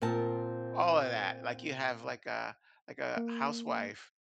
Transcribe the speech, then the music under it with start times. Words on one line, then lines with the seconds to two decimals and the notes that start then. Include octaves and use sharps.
all of that, like you have, like, a like a housewife
0.02 A#2 C4 A#4 A5
3.17 A#3